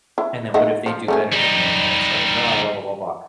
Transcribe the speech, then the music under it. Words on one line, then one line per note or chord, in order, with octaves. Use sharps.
And then what if they do better than me?" And then it's like, "Oh, blah, blah, blah, blah."
E4
D#4 E4 F#5
F3
A3 C#4 G#4
G3 D#4